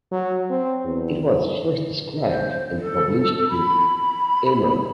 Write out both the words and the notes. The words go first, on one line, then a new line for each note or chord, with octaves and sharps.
It was first described and published in Amer.
F#3
C4
E2
C5
A4
B5